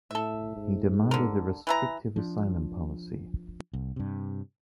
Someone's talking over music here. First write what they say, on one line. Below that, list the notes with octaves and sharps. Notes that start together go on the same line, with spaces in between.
He demanded a restrictive asylum policy.
A2 A4 E5
G#2
D3 A#4
E3 E4 A#5
F3 D4
C2
G2 C3